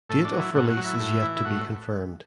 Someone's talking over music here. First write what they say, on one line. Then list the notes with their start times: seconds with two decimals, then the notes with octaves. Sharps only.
Date of release is yet to be confirmed.
0.09 A2 A4
0.25 D4
0.32 F#3
0.40 E4
0.55 A2 F#4
0.70 F#4
0.77 F#3
0.85 E4
1.00 A2
1.23 E3
1.37 E4
1.45 A2 F#4